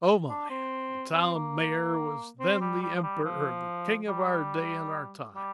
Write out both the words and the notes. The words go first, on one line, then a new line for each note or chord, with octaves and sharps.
Oh my! the town mayor was then the emperor, the king of our day and our time.
D4
C4
C4
A#3
C4
G3
G3
F3
G3
F3
G3
G3